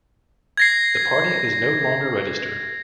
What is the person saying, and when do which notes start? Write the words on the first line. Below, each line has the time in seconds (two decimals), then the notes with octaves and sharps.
The party is no longer registered.
0.57 G#6 A#6 C7